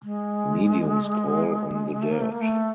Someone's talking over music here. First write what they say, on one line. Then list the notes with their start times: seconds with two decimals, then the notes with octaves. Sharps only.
Mediums call on the dead.
0.04 G#3
2.02 A3
2.12 A#3
2.21 A3
2.31 A#3
2.42 A3